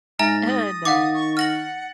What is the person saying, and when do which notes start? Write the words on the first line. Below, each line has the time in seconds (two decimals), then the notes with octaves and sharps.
Eh, no.
0.19 G#2 E5 G#5 A#5 F6 A6 A#6
0.46 D#6
0.85 D#3 F5 F#5 D6 A6
1.14 C#6
1.37 F#5 F6 A#6 F#7